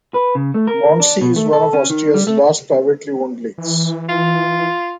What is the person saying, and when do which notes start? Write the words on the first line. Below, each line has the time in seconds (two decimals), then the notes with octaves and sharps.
Mondsee is one of Austria's last privately owned lakes.
0.14 B4
0.35 C#3
0.54 A3
0.67 A#4
1.00 D4
1.21 B2
1.36 A3
1.53 A4
1.73 C#4
1.90 D#3
2.14 G3
2.27 A3
3.58 E3
4.09 F4